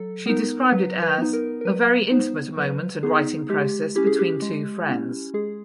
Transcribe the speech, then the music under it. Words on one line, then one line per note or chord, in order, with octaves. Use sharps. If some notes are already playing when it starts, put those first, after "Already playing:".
She described it as "a very intimate moment and writing process between two friends".
Already playing: F#3 A4
B3 D#4 A#4
F#3 B4
B4
B3 D#4
A#4
A#4
F#3 B4
B3 D#4 C5
F#3 B4
B3 D#4 G#4
G#3 G4
C#4 E4 G4
G#4
G4
G#3
C#4 E4
G#3 G#4